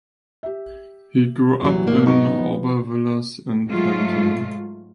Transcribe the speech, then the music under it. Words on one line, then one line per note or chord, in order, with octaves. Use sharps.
He grew up in Aubervilliers and Pantin.
G4 E5
C2 A#2 E3 F#3
A2 A#3 D4
G#2 F#3 B3 D#4 C#6
F3 B4
G#2 F#3 G#3 A3 F4